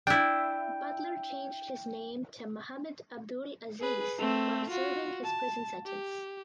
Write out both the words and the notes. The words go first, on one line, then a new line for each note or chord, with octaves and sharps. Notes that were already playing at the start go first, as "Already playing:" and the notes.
Butler changed his name to Muhammad Abdul Aziz while serving his prison sentence.
D4 E4 G5
G#4 B4
A3 C4
F4 F#4
A5
G4